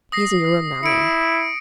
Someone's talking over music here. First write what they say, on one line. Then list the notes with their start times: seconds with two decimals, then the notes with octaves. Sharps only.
He is in your room now, ma'am.'
0.12 D#6 A#6 C7
0.83 E4 C#7 D7